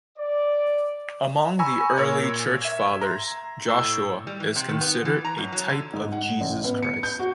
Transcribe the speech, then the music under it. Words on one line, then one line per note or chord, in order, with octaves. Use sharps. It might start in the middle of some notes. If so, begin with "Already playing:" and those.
Among the early Church Fathers, Joshua is considered a type of Jesus Christ.
D5
G#5 A#5 B5 C#6 E6
A#2 A#4 C#5 G#6
E5 G#6
A#5 C6
A2 E6
G3
E3
C3
D#3
B3
E3
A#5
F#2
F#3
D3
G#2
F#5
A1
B3
C#7
G6
F#4